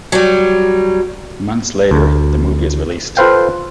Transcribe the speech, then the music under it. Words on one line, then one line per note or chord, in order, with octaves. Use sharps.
Months later, the movie is released.
F#3 G3
D2
F4 A4 B4 C5 F5 G5